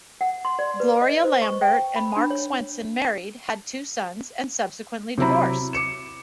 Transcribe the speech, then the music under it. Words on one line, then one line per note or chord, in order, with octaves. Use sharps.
Gloria Lambert and Marc Swenson married, had two sons, and subsequently divorced.
F#5
C6
D5
B4
D#5
C5
C#6
G5
B5
D4
C#5
C3 F#3 E4 A#5 B5
D6 C#7 E7